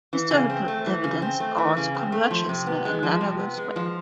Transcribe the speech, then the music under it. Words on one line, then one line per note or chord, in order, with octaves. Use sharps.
Historical evidence also converges in an analogous way.
E3
C#3
C4
A3
E3
C#3
C4
A3
E3
C#3
C4
A3
F3
C3
B3
G#3
F3
C3
B3
G#3
F3